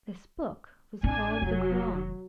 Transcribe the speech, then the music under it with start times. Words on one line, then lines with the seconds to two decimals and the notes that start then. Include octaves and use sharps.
This book was called the Koran.
1.03 A1 C4 D4 G#5
1.42 F1 F#3